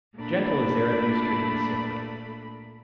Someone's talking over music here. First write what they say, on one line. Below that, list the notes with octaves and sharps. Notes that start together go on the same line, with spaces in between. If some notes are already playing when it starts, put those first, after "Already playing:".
Gentle is Zarathustra to the sickly.
A#2 A3 D4 B5